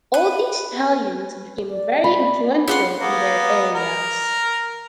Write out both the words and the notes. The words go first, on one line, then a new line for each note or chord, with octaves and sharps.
All these stallions became very influential in their areas.
B4
D5
B5
C#4 F4 G#4 E5 F#5 C6
A#3 B3
A#4